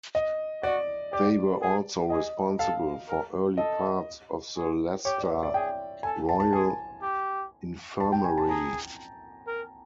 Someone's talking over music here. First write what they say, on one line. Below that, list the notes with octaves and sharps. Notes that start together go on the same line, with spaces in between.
They were also responsible for early parts of the Leicester Royal Infirmary.
D#5
F#4 D5
G4 D5
G#4
G#4 D#5
A4 F5
A#4
A4 D#5
G#4
G4 C#5
D5
E5
D5
G#4 G5
A4 G#5
A5
A5
G#4 G#5
G4
A5
G5
G#5
A5
G#4 A#5
A#4